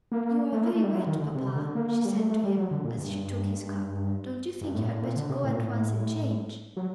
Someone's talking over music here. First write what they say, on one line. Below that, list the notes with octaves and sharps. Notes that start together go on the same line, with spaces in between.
"You are very wet, papa," she said to him as she took his cup; "don't you think you had better go at once and change?"
A#3
A3
A#3
A3
G3
F#3
D#3
D3
C3
D3
A#3
G3
A3
A3
G3
F#3
D3
A#2
G2
G2
A2
A#2
A2
A#2
D3
C3
A2
A#2
A2
F#3